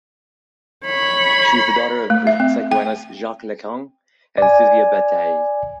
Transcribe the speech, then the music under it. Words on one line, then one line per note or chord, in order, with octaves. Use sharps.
She is the daughter of the psychoanalyst Jacques Lacan and Sylvia Bataille.
C#5 B5
A3
E5
C4
G5
D5 G#5